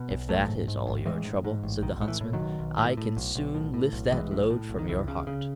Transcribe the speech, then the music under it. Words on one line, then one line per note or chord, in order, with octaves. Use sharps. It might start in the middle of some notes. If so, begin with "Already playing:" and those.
'If that is all your trouble,' said the Huntsman, 'I can soon lift that load from your heart.'
Already playing: B2
B1
A1 F#3 A3
G#2
G#2
A1
A1 E3 G#3
G#2
G#2
A1
B1 D#3
A2
E3
A2
D#3 F#3
B1
B1
A2
A2
B1
B1
A2
A2
B1
B1 E3 G#3
A2
A2
B1
D#3
C#2 E3
C#3
C#3